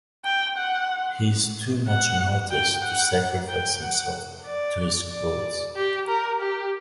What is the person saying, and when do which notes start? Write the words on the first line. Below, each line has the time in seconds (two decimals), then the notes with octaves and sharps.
He is too much an artist to sacrifice himself to his clothes.
0.25 G5
0.57 F#5
1.87 F#5
2.51 G5
2.84 F#5
3.49 G5
3.81 F#5
4.46 D5
5.11 D5
5.76 G4
6.08 A#4
6.41 G4